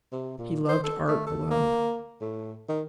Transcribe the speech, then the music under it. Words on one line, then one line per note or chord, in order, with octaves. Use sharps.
He loved art alone.
C3
A#2
C5
A4
A3
A4
A#3
A2
D#3